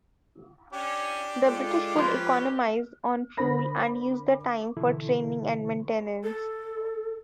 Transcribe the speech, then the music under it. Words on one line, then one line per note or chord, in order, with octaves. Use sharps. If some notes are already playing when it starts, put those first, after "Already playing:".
The British could economise on fuel and use the time for training and maintenance.
C#4 D4 G4
G#3 F4 A4
F3 A#3 C#4 G4 B4
D3 A#4 C5 B5 A#6
B2 D3 E3 E4 A4
A4